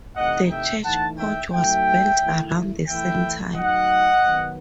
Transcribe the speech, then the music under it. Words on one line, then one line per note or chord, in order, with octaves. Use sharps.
The church porch was built around the same time.
C3 E3 A3 D#4 D#5 F#5
E5 G5
E3 A3 D#4 F#5 A5
E5 G5
F#3 A3 D#4 E5 G5
D#3 A3 E4
E3 A3 E4 E5 G5
F#3 A3 D#4 D#5 F#5
D#3 F#3 B3